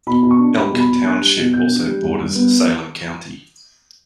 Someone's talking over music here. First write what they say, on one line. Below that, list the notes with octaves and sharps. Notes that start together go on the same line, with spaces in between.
Elk Township also borders Salem County.
B2 B5
B2
C#6
D4
G3 B5
B2
B5
B2
D4 F#6
G3
B2
B2 G6
D4
G3
G2
G2
B3